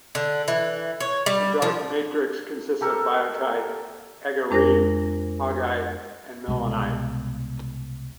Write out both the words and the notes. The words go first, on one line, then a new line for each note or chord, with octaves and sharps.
The dark matrix consists of biotite, aegirine-augite and melanite.
D3
E3
C#5
G3
F3
G4 A4 A#4
F2 G#3 D4 A#4 C5 A#6
C2 B2 G#3